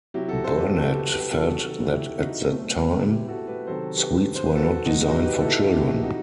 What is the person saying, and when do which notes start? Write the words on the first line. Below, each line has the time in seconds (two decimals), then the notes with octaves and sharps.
Bernat felt that at that time, sweets were not designed for children.
0.14 C3 F#3 E4 G4
0.28 F#4 A4
0.44 A4 C5
0.58 G4 B4
0.73 A4 C5
0.92 G4 B4
1.12 G4 B4
1.31 C3 D#3 F#3 F#4 A4
1.61 F#4 A4
1.91 E4 G4
2.20 D#4 F#4
2.49 B2 F#3 A3 C4
2.78 B3
3.08 E4 G4
3.28 F#4 A4
3.47 G4 B4
3.67 C3 D#3 F#3 A4 C5
3.97 G4 B4
4.36 C5
4.46 B4
4.56 F#4 A4
4.85 A2 F#3 D#4 F#4
5.04 D#4 F#4
5.24 G4 B4
5.39 A4
5.44 E4 G4
5.73 E4 G4
6.03 C3 E3 D#4 F#4